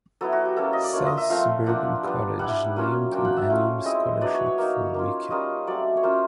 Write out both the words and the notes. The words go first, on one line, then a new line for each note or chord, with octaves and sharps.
South Suburban College named an annual scholarship for Rieke.
F#3 B3 E4 A4
F#4
G4
F#3 A#3 C#4 A4
D#5
D5
A#3 D4 F4 C#5
D#5
E5
F3 A3 C4 F4 F5
F3 A#3 D4 F4 F#5
G3 B3 D4
G3 B3 E4 F#5
F#3 A#3 C#4 F4
F#3 A#3 D4 F4 G5
F#5
E5
A3 C#4 F4
G#3 C4 E4 D#5
F#3 B3 D4 D5
C#5
C#5
A#3 D#4
A#3 C#4 F4
G3 A#3 C#4 F4 D#5
F#3 A3 C4 D5
C#5
A#3 C#4 F4 C5